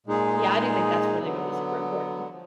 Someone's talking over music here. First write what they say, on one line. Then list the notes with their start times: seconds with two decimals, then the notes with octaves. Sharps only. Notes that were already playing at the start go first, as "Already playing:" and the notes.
yeah, I do think that's really, really super important.
0.07 A#2 G#3 D#4 G#4
1.18 D3 F#3 B3
2.31 F3